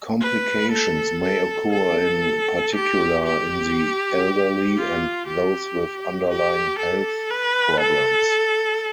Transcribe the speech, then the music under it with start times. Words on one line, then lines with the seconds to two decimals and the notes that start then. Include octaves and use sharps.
Complications may occur in particular in the elderly and those with underlying health problems.
0.21 B4
0.72 A4
1.23 A4
1.73 A4
2.75 G4
3.26 G4
4.78 F4
5.27 G4
6.29 G4
6.79 A4
7.31 B4
7.80 A4